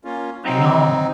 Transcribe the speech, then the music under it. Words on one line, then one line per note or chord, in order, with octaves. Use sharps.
I know.
A#3 C#4 F4
F#3 C4 D#4